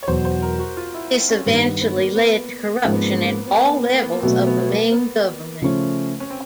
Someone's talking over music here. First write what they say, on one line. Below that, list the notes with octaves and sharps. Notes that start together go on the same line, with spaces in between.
This eventually led to corruption at all levels of the Ming government.
C#5
E2 B2 F#3 C5
C5
A#4
F#4
F4
E4
C4
C#4
G2 D#3 G3 B3
B3
B3
A#3
B3
G#2 F3 G#3 A#3 C#4
B3
A#3
B3
A#3
B3
A#3
B3
A#3
B3
A#3
B3
A#3
B3
A#3
C4
B2 F#3 A3 B3
B3
B3
A#3
B3
C#3 F3 A3 C#4
C#4
C4